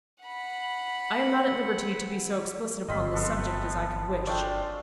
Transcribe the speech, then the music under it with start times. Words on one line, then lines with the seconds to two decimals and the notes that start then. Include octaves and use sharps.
'I am not at liberty to be so explicit upon this subject as I could wish.
0.24 F#5 B5
2.89 G1 C4 F4 C5 D#5 B5
3.13 G#3 B3 A4
4.27 G#3 A3 D4 F4 D5 G5